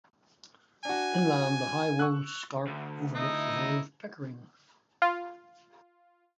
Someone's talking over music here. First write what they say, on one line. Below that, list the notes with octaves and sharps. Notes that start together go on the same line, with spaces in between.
Inland the high Wolds scarp overlooks the Vale of Pickering.
D4 F#4 G#5
C#6 E6 F#6
D2
D#4 E4 D#5
F4